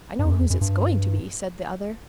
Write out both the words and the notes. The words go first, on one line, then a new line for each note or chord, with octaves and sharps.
"I know whose it's going to be," said the other.
G2
E2
F#2
E2
F#2
G2